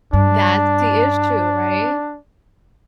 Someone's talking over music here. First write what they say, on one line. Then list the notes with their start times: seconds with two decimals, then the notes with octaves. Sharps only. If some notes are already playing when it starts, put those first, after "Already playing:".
That's the issue, right?
0.13 G2 D4